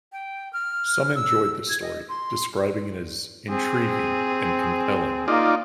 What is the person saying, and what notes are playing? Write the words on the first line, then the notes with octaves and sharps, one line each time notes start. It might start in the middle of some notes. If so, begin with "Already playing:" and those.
Some enjoyed the story, describing it as "intriguing" and "compelling".
G5
F6
E6
G#6
D#5
C6
C4 G#4
A#3 D#4 F4 D5